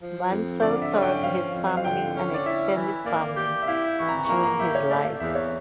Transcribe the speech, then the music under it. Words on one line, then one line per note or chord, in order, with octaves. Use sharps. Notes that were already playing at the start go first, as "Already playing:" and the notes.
Bansal served his family and extended family during his life.
F3
F2
D3 D5
E5
C#4
G5
G5
F3 F5
F2
F5
D3 G5
C#4
D5
E4 E5
E3
A#3 D5
G4
E5
E4 F5
E3 C#6
A#5
C#6
A#3 A#5
A#5
G4 E5
C#5
A3 D5
F5
E2 E5
C#5